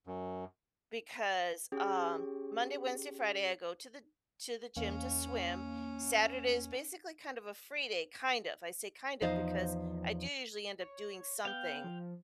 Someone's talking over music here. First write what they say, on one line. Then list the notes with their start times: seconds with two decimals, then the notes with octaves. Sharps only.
because, um, Monday, Wednesday, Friday, I go to the to the gym to swim, Saturday is basically kind of a free day, kind of, I say kind of, because I do usually end up doing something,
0.07 F#2
1.72 C#4 G4 G#4
4.77 E2 A#3 C#4 F5
9.22 E2 F3 D#4 C5 D#5 F5
10.80 C#5
11.45 B3 F5 G5
11.84 F3